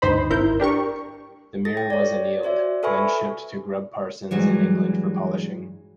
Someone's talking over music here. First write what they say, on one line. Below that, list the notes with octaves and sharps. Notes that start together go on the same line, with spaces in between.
The mirror was annealed, then shipped to Grubb-Parsons in England for polishing.
D2 G2 D#4 C5 B5
G#1 E4 A#4 G6
D4 G4 A#4 C#6
A4 A6 A#6
G5
C#5 D5
F#4 C5 D5 E5
A4 B4 E5 G#5 B5 C#6
G2 E3 F#3 G#3